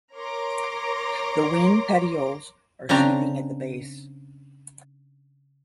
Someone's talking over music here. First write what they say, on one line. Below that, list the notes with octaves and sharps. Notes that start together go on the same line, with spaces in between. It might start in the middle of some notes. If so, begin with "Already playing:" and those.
The winged petioles are sheathing at the base.
A#4 C#5 A#5 C6 D6
C#3 C4 D4 A#5